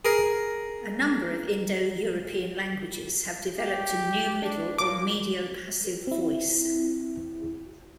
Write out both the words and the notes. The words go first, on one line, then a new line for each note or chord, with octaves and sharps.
A number of Indo-European languages have developed a new middle or mediopassive voice.
G#4 A#4
G4
D4
A#2 D6
C4 E4